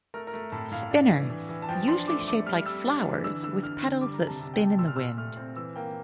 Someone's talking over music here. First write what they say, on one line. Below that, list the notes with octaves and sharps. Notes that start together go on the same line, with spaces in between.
Spinners: Usually shaped like flowers with petals that spin in the wind.
A3 A#4
A#4
A3
A2 A5
A2 F5
D4
E3
E3
E3
A5
F3 G5
D4 C6
A3 D6
A3 D6
G3 F6
G3 E6
D4
E3
D3 E6
D3 E6
D3 F6
D3
G3 D6
A#5
C3
A5
C3
G5
G3
A5
A#2 E6
F6
A#2 E6
A3 F6
C4
E3 E6
A#3 G5